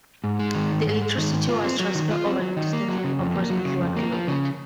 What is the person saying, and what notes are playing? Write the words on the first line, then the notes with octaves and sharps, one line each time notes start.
The electricity was transferred over a distance of approximately one kilometer.
G#2
G#3
D#3
G#2
G#2
G#3
D#3
G#2
F4
C4
F#3
D#3
F4
C4
F#3
D#3
A#3
F#3
C#3
F2
A#3
F#3
C#3
F2
A#3
F3
C#3